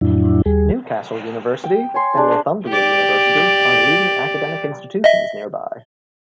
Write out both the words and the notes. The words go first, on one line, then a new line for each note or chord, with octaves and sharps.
Newcastle University and Northumbria University are the leading academic institutions nearby.
F2 A2 F#3 D4 E4
D#2 G3 G#4
G5
C#5 G#5 C6
D4 G#4 A4 C5
G4 D5
D#5 E5